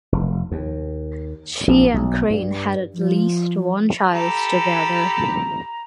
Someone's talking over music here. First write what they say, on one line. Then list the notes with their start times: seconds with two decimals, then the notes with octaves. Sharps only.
She and Crane had at least one child together.
0.12 F1
0.52 D#2
1.67 A#1
1.94 B1
2.30 G2
2.94 F3
4.13 G4 A4 A#5 B5